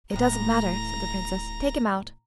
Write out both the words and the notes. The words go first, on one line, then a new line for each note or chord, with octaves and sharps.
'It doesn't matter!' said the Princess. 'Take him out!'
D1 E2 A2 A#5 A#6